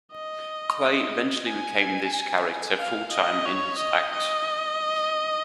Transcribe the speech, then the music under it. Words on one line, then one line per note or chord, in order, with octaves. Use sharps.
Clay eventually became this character full-time in his act.
D#5
G#5
F5
D#5
C#5
D#5
D#5